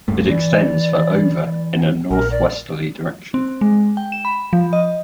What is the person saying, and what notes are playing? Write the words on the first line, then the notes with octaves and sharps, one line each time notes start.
It extends for over in a northwesterly direction.
D1 G2 A3
E3 D5
A#1 A#4
D5
C4
G#3
G5
E7
B5
F3
D#5